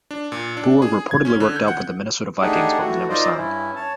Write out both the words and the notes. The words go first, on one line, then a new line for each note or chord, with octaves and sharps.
Bua reportedly worked out with the Minnesota Vikings, but was never signed.
D4
A#2
D4
G#4
G#6
C#4
D3
G6
F#5
A3 D4 D#4 G4 G#4 F#5
E3 A3 F#4
D#4 F4 A#4 C5 D5 D#5
G2 C#4 E4
C#5 A5